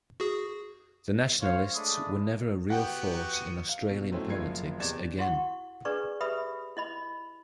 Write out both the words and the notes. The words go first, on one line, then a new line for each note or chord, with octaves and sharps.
The Nationalists were never a real force in Australian politics again.
F#4 G#4
C5 C#5 F5
G#3 A3 D4 B5 D#6
B3 F#4 G4 F#5 G5
C#7 D#7
F5
B2
F#3 A3 C4 C#4 E4
F#1 F3 F4 G#6 C7
E2 C3 D5 G#6 A6 E7
E4 F#4 F#5 C#6
D4 G#4 B4 D5 A#5 C#6
G4 B4 E5 B5 D#6
E4 D#5 B5